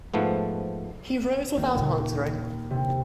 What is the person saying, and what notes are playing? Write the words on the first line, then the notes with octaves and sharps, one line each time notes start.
He rose without answering.
G#2 F3 A3 B3
D#2 A#3
A#2 C#3
C3